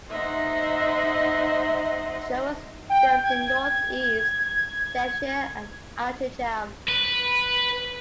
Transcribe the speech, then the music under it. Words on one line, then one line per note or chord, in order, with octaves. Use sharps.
The show was filmed in north east Cheshire and Altrincham.
D#4 C5 D#5 E5 F#5 C6
G5
G#6
B4